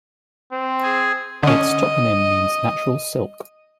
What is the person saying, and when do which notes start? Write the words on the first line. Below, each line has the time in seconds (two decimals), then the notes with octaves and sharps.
Its toponym means "natural silk".
0.52 C4
0.83 G#4
1.43 D3 C#4 D#5